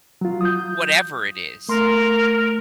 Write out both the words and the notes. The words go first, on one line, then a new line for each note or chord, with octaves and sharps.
whatever it is.
F#3 F4
D#6 G6
A3 A#4 C6